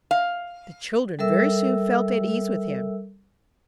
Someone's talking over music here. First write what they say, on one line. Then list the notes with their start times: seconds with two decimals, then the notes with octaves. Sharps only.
The children very soon felt at ease with him.
0.11 F5
1.19 G3 A4 A#4 E5 E6